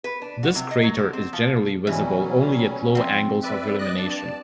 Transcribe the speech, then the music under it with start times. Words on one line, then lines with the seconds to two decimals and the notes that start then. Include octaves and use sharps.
This crater is generally visible only at low angles of illumination.
0.04 B4
0.22 D4
0.43 F#4
0.55 C3
0.71 D#5
0.83 F#3
0.99 D3
1.13 C4
1.33 F3
1.87 B2 E3 F#3 G3 C#4
2.95 F3 C4
3.43 B4 D5 E5
3.78 D5 D#5 F#6
3.97 G2 D5 A5